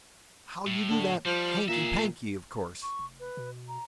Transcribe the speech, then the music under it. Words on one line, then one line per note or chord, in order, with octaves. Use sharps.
"How you do that hanky-panky, of course."
A2
D3
F3 G3
A#2 G#4 E5
C#6
F1
B4
B2
A#5